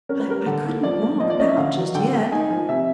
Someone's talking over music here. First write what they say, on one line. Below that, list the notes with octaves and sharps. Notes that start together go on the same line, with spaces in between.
I--I couldn't walk about just yet.
C#4 A#4
B4
G3 A#4
D3 A4
A#3
F3 D5
A#3
F3 D#5
D5
C#4 D#5
E5
D3 F5
F#3
D3 G5
A#3
D#4 G#5
F3
C3 E5